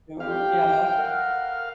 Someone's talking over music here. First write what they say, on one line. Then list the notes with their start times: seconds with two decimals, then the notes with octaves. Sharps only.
soon, yeah.
0.20 G4 F5 G5
0.98 A#4 F#5